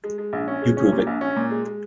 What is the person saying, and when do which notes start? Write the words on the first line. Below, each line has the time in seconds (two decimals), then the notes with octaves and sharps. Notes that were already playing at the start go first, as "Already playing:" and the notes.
You prove it.
0.04 G#3
0.18 G#3
0.33 A#1
0.48 C#4
0.62 G#3
0.77 C#4
0.92 A#2
1.07 A#1
1.21 C#4
1.36 A#2
1.51 G#3
1.65 G#3